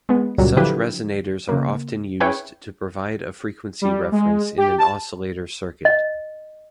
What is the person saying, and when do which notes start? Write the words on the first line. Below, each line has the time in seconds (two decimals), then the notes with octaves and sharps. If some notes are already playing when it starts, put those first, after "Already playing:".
Such resonators are often used to provide a frequency reference in an oscillator circuit.
0.09 G#3 B3
0.38 C#2 F#2 A#2 F#3 G3
0.57 D3 F3 F#3 E4 G4 B4
1.49 C#3 A#3
2.20 C#4 E4 G#4 B4 C#5 G5
3.82 G3
4.12 G#3
4.58 G4
4.78 A5
5.85 D#5